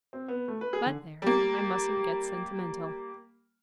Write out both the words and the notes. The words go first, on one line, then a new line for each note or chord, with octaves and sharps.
But there, I mustn't get sentimental.
C4
B3
A3
B4
G#4
D3
G3 A#3